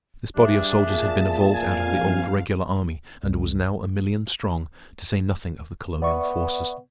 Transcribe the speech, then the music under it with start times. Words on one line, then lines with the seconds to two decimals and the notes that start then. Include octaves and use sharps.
This body of soldiers had been evolved out of the old regular army and was now a million strong, to say nothing of the colonial forces.
0.36 G2 D4 G#4 E5
0.86 A#2 A5
1.55 F2 F5 G#5
3.24 C2
6.02 B3 D5 E5 C#6